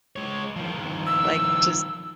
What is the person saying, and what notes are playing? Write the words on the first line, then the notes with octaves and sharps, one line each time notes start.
like, just
G#3 C#5
D#3 F3
E6